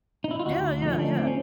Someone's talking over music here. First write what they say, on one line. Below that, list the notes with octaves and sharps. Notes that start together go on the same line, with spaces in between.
Yeah, yeah, yeah.
D#4
E4
F4
D2 F#4
D3 F3 A3 D#4
C#4
D4
C4
C#4